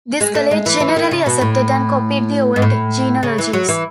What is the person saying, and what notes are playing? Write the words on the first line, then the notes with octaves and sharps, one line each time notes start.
This college generally accepted and copied the old genealogies.
G#3
A3
G#3
E3
E3
D#3
C#3
B2
A2
G#2
A2
C#3
E3
F#3
E3